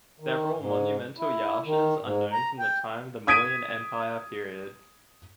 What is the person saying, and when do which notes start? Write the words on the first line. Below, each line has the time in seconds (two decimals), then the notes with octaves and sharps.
Several monumental Yashas are known from the time the Mauryan Empire period.
0.20 D#3
0.58 G#2
1.18 E4
1.65 D#3
2.01 G#2
2.32 A#5
2.59 G5
3.27 D#6 G#6 B6 D7 D#7